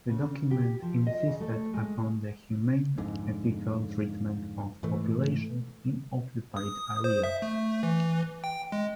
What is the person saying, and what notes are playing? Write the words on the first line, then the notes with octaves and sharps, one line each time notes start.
The document insisted upon the humane, ethical treatment of populations in occupied areas.
C#3
G4
F3
D#5
C#3
A3
G#3
F2 G#2 D3
G#2 E3 A3
D#6
C5
E5
A3
E3
G5
G#3